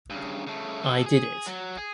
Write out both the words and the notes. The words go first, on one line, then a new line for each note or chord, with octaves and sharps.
I did it.
G2 C#3
C#3 A3
B2 A4
G#4
F#3
G#4